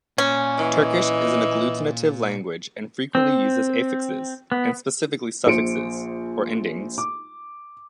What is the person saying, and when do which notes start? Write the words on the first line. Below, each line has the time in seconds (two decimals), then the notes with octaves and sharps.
Turkish is an agglutinative language and frequently uses affixes, and specifically suffixes, or endings.
0.18 A#2 C#4
0.58 E3 D#5
3.15 C4
4.52 B3
5.46 A#1 C5 C#7 D7
6.98 D6